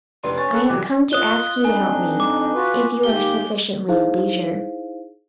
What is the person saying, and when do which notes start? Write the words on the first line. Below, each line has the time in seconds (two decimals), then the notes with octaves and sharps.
I have come to ask you to help me, if you are sufficiently at leisure.
0.24 F1 D4 B4 C6
0.38 C#4 A6
0.54 A4 F#6
0.69 C2 E3 F#3 G4
1.11 F4 D#5 D#6 F#6 G7
1.65 F2 D4 D#4 G#5
2.20 D6
2.54 F4 F#4 B4
3.03 D#2 G4 G7
3.88 D#4 E4 G#4 C5 F5